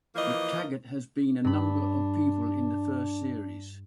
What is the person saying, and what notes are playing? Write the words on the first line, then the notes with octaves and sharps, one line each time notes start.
McTaggart has been a number of people in the first series.
E3 F3 A#3 A#4 D#5
G2 D4 B5